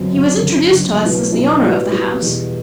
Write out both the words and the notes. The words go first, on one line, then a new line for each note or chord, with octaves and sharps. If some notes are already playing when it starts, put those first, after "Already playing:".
He was introduced to us as the owner of the house--Mr.
Already playing: G1 F#2 F#3 C4
G1 F#2 F#3 C4
G1 F#2 D3
G1 F#2 D3
C2 B2 F#3 B3 F#4
C2 B2 F#3 B3 F#4
A2 G3 B3 F#4
A2 G3 B3 F#4
E2 B2 G3